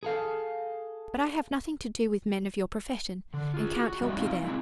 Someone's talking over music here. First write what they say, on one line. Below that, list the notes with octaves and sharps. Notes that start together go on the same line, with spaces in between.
But I have nothing to do with men of your profession, and can't help you there.
G#4 A4 F5
D3
F4 G#4
F#4
G#2 G3 B3 F#4 E5
C4 D#4 F4 D#5 F5
G#3 C4 E4 F#4 G#4